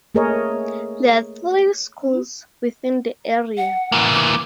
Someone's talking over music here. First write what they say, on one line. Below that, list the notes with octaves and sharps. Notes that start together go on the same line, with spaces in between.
There are three schools within the area.
A3 A#3 G#4 A#4 C#5 D#5
F#5
E3 A#3
D6